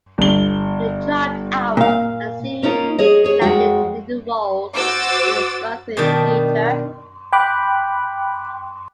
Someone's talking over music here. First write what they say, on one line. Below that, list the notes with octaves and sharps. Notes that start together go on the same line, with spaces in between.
He dropped out and soon landed leading roles at the Guthrie Theater.
G1 G7
A#2 F5
A#3 C#4 D#4 F4 A#4
G#4 C#5 D#5
G#4 C#5
F2 G#3 F#4 G5
F#4 C5 D6 E6 A6
B2 D#3 D4 G5 A5
G5 B5 D6 F#6